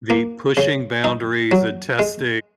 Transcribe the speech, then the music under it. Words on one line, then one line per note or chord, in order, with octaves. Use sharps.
the pushing boundaries and testing,
A#3
C#3
D#4
F#3
G#3